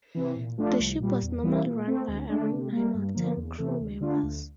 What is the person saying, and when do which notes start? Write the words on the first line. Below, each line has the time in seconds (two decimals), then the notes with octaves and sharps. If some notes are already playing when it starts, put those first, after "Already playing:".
The ship was normally run by around nine or ten crew members.
0.15 C3 E3
0.36 A#2
0.58 F3 A3 D4 F4
0.79 C2
1.00 A#2 G3
1.22 E2
1.43 E3 G3 A#3 E4
1.64 A#2
1.87 A3 C4
2.08 D2
2.29 D3 A3 D4
2.51 C3
2.72 G3 A#3
2.94 G2
3.15 D3 F3 A#3
3.37 E2
3.58 C3 E3 A3
3.80 D2
4.00 D3 A3 D4 F4
4.23 D2